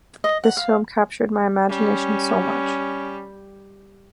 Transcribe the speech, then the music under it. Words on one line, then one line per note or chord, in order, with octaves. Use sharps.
This film captured my imagination so much.
D#5
F#5
F5
G3 C#4